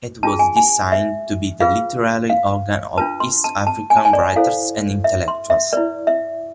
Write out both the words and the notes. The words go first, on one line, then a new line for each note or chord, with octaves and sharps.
It was designed to be the literary organ of East African writers and intellectuals.
D4 F4 G#4 A5
G#5
G#5
E5
F4 G#4 B4 F5
F5
D4 F4 B4 A5
C6
A5
A5
G#5
A5
G#5
D5
E4 A4 C5 F5
E5
C6
E5
E4 B4 D5
E5